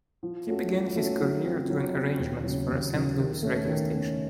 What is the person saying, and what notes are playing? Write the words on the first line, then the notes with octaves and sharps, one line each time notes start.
He began his career doing arrangements for a Saint Louis radio station.
F3
A3 C#4 F#4 A4
F3
A3 C#4 F#4 A4
F#3
C4 F4
F#3
C4 F4
D#2
C#3 F#3
D#2
C#3 F#3
D#3
A3 C#4
D#3
A3 C#4